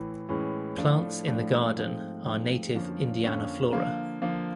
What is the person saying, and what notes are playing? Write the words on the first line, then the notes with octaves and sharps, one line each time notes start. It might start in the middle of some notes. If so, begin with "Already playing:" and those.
Plants in the garden are native Indiana flora.
Already playing: A2 E3
A2 E3 G#3 C#4
A2 F3 A3 D4
A2 F3 A3 D4
G#2 F3 A3 C4
G#2 F3 A3 C4
F2 D3 F3 A#3 C#4
F2 D3 F3 A#3 C#4
D3 F3 A#3
D3 F3 A#3